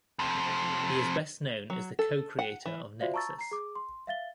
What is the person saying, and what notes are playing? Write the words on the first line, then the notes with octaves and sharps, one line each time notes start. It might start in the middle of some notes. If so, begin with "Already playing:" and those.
He is best known as the co-creator of "Nexus".
F2 C3
F#3
A4
F#5
E3
F4 F#4 C5 D5 E5 F5
A5 A#5 C#6 E6 A6
A#5 C7
G#4 D6
C6
E5 F5 A6 G7